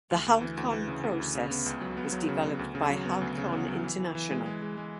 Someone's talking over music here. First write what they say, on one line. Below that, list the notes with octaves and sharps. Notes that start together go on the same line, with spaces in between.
The Halcon process was developed by Halcon International.
D2
D2
E3
D2
E3
C#3
D2
D2
C#3
B3
C#2
F#3
B3
F#3
C#3
B3
D2
C#3
F#3
B3
D2
C#3
B3
F#3
E3
E3
E3
G#3
G#3
G#3
G#3